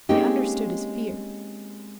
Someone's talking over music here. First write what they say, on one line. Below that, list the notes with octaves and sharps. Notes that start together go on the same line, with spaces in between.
I understood his fear.
G#3 A#3 C4 C#4 D#4 G4